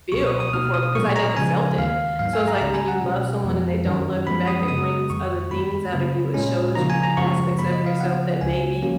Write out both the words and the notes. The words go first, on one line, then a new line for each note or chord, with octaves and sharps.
feel before because I never felt it. So, it's, like, when you love someone and they don't love you back, it brings other things out of you, it shows you aspects of yourself that maybe
C#2 B2 F#3 B3 C#6
D#6
D#6
B2 A#3 D#4 F6
D#6
A#2 F#3 B3 C#6
A#5
C#3 F3 G#3 G#5
D#2 D#3 A#3 F5
G#2 F#3 A#3 D#4 F5
G#5
A#5
C#2 C#3 G#3 C#4 A#5
G#5
F#5
B2 F#3 C#4
F2 F3 G#3 B3
F#2 D#3 F#3 C#4
F#2 F3 G#3 B3 B5
D#6
C#3 G#3 B3 D#6
F2 D#3 F#3 C#6
F#2 D#3 G#3 B3 B5
C#3 F#3 A#3 C#4
A#2 G#3 C#4
C#3 F3 A#3 D#4 A#5
G#5
A#5
F#2 C#3 F3 G#3 C#6
C#3 F3 A#3 B5
D#5
F5
C#3 F3 B3 D#4 F#5
C#2 C#3 G#3 G#5
F3 A#3 C#4